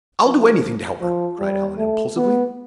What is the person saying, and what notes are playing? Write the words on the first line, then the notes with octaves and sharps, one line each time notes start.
"I'll do anything to help her!" cried Allan, impulsively.
F3
F3
G3
A3
B3